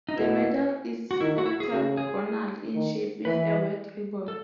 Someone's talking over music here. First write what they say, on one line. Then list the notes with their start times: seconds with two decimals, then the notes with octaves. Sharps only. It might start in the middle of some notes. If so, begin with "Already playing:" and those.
The medal is octagonal in shape with a white ribbon.
0.09 D#4
0.17 B2 E4
1.11 F#4
1.20 D#3 E4
1.38 F#4
1.46 E4
1.60 G#4
1.71 C#3 F#4
1.97 G#4
2.74 D#3
3.25 E3 B4
4.28 A4